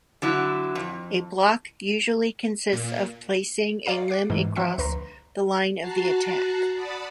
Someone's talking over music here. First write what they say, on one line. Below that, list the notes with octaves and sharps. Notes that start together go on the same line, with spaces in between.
A block usually consists of placing a limb across the line of the attack.
D3 F#3 E4
F2
A#2
C#5 D5 F5 A#5 C7
D6 F#6 A6 C7
G#2 E3 G#3
F3 F4 E5 G5 B6 C#7
D2 B4 A#5 C6
F#4 A5 A#5 F#6 C7
D5 F#5 A5 B5 D#6